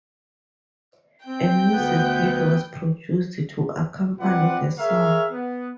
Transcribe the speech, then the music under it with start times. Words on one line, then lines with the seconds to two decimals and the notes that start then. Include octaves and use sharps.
A music video was produced to accompany the song.
1.26 C4 G5 G6
1.72 D2 B3 B4
4.20 C4 F4 B4 D5 F#5
4.78 G#4 A#4 C#5 E5 F5
5.30 B3